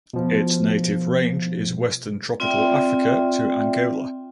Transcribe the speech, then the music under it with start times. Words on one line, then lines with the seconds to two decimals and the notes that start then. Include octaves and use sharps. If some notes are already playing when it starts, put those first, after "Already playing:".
Its native range is Western Tropical Africa to Angola.
0.13 B2 F3
2.40 C4 F4 D5 E5 G5